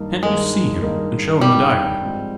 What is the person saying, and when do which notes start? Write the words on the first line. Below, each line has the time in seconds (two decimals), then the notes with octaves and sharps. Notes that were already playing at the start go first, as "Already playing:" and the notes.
"Can't you see him and show him the diary?"
Already playing: G2 D#3 A#3 D#4
0.23 G2 D#3 G#3 A#3 D#4
0.82 G2 D#3 A#3 D#4
1.41 G2 D#3 G3 A#3 D#4
2.01 G#2 F3 C4